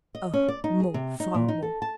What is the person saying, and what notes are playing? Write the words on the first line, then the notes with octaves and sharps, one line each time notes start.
Oh, more--far more!
D#5
C#4
D5
D#4
G#4
C3
D#4
A#2
D#4
A4
A5